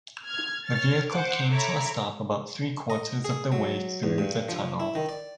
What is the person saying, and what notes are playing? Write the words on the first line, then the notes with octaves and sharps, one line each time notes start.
The vehicle came to a stop about three-quarters of the way through the tunnel.
F6 G#6
C#5 F6 A6
C5 F#5 D6
A4 C#5 E5 A#5 B5 D6
D#5
G#4
F#3
E2
G2
F3
E4
D#3
D5